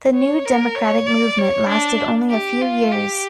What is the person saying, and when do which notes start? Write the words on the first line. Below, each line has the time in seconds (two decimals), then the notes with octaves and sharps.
The New Democratic Movement lasted only a few years.
0.14 C#5
0.46 A#4
0.76 C#5
1.07 D5
1.38 C#5
1.69 D4
2.30 G4
2.61 F4
2.92 G4